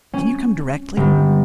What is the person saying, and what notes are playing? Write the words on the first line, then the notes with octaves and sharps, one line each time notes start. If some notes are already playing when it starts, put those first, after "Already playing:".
Can you come directly?'
C#4
G1